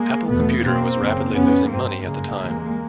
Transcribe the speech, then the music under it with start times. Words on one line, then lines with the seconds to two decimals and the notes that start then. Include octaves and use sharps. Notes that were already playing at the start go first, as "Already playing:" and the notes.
Apple Computer was rapidly losing money at the time.
Already playing: G#3 A#3
0.28 E2 B2 A3 B3
0.64 E2 B2 A#3 C4
0.99 F#2 C#3
1.34 F2 C3 B3 C#4
1.70 G2 A#3 C4
2.05 F#2 C#3 G#3 A#3
2.41 E2 C3